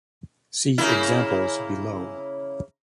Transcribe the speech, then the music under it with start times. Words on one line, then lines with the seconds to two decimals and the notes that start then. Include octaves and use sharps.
See examples below.
0.78 C#3 A#3 E4